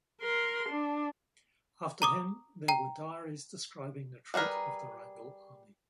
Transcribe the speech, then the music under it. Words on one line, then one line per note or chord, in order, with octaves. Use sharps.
After him there were diaries describing the retreat of the Wrangel army.
A#4 C6
D4
A#5 D6 D#6
G5 A#5
G3 F#4 G#4 A#4 B4